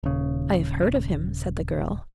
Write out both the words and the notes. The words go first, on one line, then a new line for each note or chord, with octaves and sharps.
"I have heard of him," said the girl.
D#1 C#3